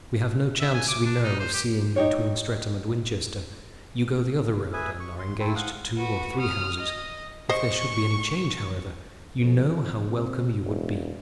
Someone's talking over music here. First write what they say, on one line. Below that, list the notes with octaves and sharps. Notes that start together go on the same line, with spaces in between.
We have no chance we know of seeing you between Streatham and Winchester: you go the other road and are engaged to two or three houses; if there should be any change, however, you know how welcome you would be. . . .
E5
G#5
D6
D4
D#4
C5
G4
D#4 G4 C#5
G#4 B4 E5 G#5
C#6
C6
A3 C4 E4
F5 F#5 D#6
F#4 B4
D#6 F6
D#5
C5 D#5 C#6
F2
C3
E1